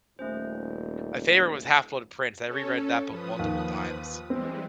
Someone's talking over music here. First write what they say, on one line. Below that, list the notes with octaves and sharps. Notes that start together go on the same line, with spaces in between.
My favorite was Half-Blood Prince, I reread that book multiple times.
D#1 A3 C#4 C5
C#4 A4 C#5
F3 B4 D#6
D#2
E3 G3 G#3 C4